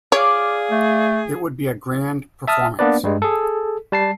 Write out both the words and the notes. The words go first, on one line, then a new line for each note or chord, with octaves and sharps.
It would be a grand performance.
F4 G#4 C#5 D5 F5
A3
E5 A5 D#6 F6
A#3 B3 D4 B4 D5
G2 G3 G#3
G#4 A4
G3 A5 C7